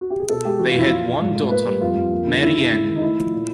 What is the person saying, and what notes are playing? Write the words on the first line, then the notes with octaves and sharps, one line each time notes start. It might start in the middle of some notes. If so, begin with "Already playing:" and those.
They had one daughter: Marie-Anne.
F#4
G4
G#4
B2 A4
G#3 G4
E3 F#4
F4
F2 E4
A#2 F4
A#2
G#2
A3
A#3 B4
G3
F2 F4
F2
A#3
D3
C#3 E4
C#3 E4
G#3 E4
D#3
D#4
A3 E4
F3
A#2